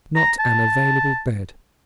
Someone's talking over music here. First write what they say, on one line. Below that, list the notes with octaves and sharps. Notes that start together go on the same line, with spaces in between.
Not an available bed.
A#5
A5